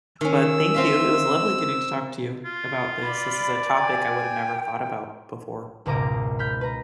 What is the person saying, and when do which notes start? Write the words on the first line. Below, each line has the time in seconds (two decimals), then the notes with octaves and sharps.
but thank you, it was lovely getting to talk to you about this. This is a topic I would have never thought about before.
0.21 D#3 C#4 E6
0.74 C4 F4 E5
2.46 F4
3.03 D5 B5
3.76 G5 G#5
5.86 G#1 C#2 B2 A#5 D6 D#7
6.39 B5 F6 G6 B6
6.61 B4 A#5